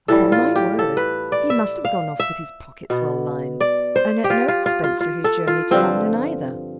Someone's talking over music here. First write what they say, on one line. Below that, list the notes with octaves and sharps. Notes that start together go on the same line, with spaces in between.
"Upon my word, he must have gone off with his pockets well lined, and at no expense for his journey to London either!"
A2 E3 G3 A4
F4
G4
A4
B4
D5
E5
F5
E5
B2 B3
D5
C5
G4
F4
F4
F4
F4
F4
A4
F4
G2 D3 F3 C4